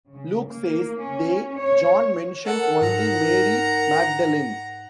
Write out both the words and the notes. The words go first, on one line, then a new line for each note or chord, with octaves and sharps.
Luke says "they," John mentions only Mary Magdalene.
C#3
A#3
C#4
C#5
A4 A#4 F#5
G#2 F#5 A#5